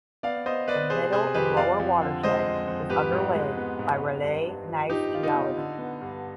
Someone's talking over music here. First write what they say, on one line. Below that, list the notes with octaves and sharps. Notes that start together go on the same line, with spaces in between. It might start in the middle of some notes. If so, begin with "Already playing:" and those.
The middle and lower watershed is underlaid by Raleigh Gneiss geology.
B3 D5 F5
B3 C5 D#5
B3 B4 D5
C3 G#4 C5
C3 G#4 C5
F2 G4 B4
F2 D5 F5
F2
D3
G#3 C5 D#5
F2
F2
G#2 G4 B4
G#2
G#3
B3
G#2
G#2
G2
G2
F3
F3 D#4 G4
F3 F4
D#4
B3
D3
B3
G2